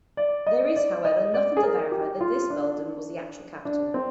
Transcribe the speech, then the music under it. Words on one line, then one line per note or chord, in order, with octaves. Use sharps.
There is, however, nothing to verify that this building was the actual capitol.
D5
D#5
D5
D#5
D5
G#4
A#4
G4
F4
D4
D4
C4